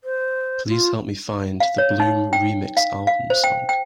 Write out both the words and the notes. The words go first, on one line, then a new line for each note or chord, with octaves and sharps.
Please help me find the Bloom: Remix Album song.
C5
F4
F5
C#5
D#4
G5
F5
F5
C5
G5
G5